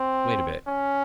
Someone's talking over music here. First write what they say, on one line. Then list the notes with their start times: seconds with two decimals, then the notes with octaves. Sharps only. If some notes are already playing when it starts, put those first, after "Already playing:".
Wait a bit....
Already playing: C4
0.67 C#4